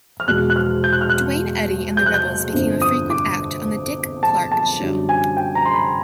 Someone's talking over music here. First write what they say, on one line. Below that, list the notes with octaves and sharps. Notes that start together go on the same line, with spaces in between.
Duane Eddy and the Rebels became a frequent act on The Dick Clark Show.
F6
E2 B2 G#3 F#6
F#6
F6
G6
F#6
F6
F#6
G6
F#6
G6
G1 F2 D3
D#6
D6
A5
A5
F#2 D3 G3
G#5
G5
A#5
C6
B5